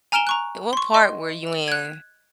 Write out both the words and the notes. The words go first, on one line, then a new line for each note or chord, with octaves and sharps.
What part were you in?
G#5 A#5 F6 D7 E7 G7
A#5 C#6 F#6
C6 C#6
D#5 C6
F#6 G#6